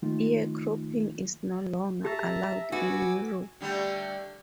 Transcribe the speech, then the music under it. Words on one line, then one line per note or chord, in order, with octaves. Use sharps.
Ear cropping is no longer allowed in Europe.
D#3 F3 A3 A#3 D#4 F4
G4 E5 A5 A#5
B3 F#4 G#5 D6 E6
D3 G3 A3